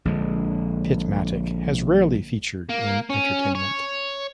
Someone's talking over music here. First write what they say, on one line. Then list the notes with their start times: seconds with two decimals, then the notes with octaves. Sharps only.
Pitmatic has rarely featured in entertainment.
0.05 A#1 D3 G#3
2.70 A#3
3.10 C#4
3.55 C#5